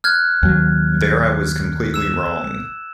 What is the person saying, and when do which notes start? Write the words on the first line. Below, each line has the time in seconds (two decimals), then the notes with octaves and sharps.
There I was completely wrong.
0.04 F6 F#6 G#6
0.43 D#2 F#3
1.94 E6 E7